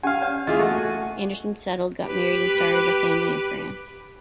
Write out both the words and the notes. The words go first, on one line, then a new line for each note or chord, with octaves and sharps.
Anderson settled, got married and started a family in France.
C#4 G4 F5 F#5 G#5
B4 C#5 D5
E2 G#3 A#3 F4 G#4 D#5
A3 F#4 D#5
G#5
G4 B4